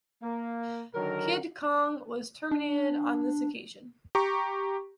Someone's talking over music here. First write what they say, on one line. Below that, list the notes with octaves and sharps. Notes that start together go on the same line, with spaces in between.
"Kid Kong" was terminated on this occasion.
A#3
D3 D#3 F#3 A#4
D4
G4 A#5 C#6